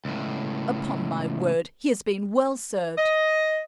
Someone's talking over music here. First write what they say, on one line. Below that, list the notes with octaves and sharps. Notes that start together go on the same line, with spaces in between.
Upon my word, he has been well served.
C#2 A2
D#5